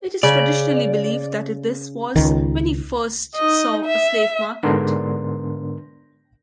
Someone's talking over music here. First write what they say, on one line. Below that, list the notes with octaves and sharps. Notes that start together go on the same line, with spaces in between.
It is traditionally believed that this was when he first saw a slave market.
C#3 D5
C#2 D#3
D#4 D#5
E5
G#2 D3 B3 D4 A#4 C6